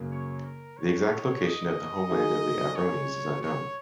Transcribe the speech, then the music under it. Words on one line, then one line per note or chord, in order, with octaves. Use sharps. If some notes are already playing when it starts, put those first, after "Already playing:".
The exact location of the homeland of the Ambrones is unknown.
Already playing: F#2 C#3 A#3
C#5
A#4
C#5
D#5
F#3 D#4 G#4
C#5
C#5